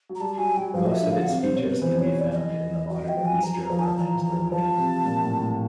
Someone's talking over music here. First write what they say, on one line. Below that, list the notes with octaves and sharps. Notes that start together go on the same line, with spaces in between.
Most of its features can be found in the modern Eastern Romance languages.
F#3
A#5
G3 A5
F#3 G#5
F#3 G5
F3 F5
D#5
E5
D3
F5
F#5
C3 F5
C5
B2 C#5
A#4
B4
E3 C5
C#5
D5
D5
D#5
F#3 D#5
G5
F3
G#5
F3 A#5
A#5
F3 A#5
G#5
A5
E3 A#5
E3
A#5
F3
F3 A5
C3
A#2
A2
A2